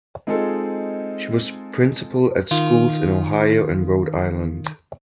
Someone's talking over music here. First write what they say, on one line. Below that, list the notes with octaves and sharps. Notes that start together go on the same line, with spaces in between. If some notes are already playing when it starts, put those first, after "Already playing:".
She was principal at schools in Ohio and Rhode Island.
G#3 C4 D#4 F4 G#4 A4
D#3 F4